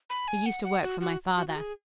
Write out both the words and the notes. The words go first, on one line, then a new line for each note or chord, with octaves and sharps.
He used to work for my father.
B5
G#5
F#5
F#5
F#4
F#4
F#4
F#4
G#4